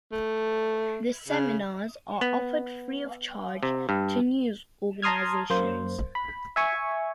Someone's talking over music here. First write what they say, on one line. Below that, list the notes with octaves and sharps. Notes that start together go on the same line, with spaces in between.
The seminars are offered free of charge to news organizations.
A3
C#3
B3
C3
G2
A5 A#5 C6 D#6 F6 G#6
F#2 A#3 C5
B5
E5 G#5 C#6